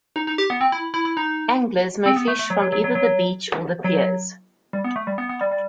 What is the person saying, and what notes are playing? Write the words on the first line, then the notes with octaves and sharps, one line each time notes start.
Anglers may fish from either the beach or the piers.
D#4
D#4
G4
B3
C4
E4
E4
E4
D#4
C4
B3
A3
A3
F#3
F#3
F#3
F#3
F#3
F#3
G3
B3
A3
G3
B3
B3
G3
G3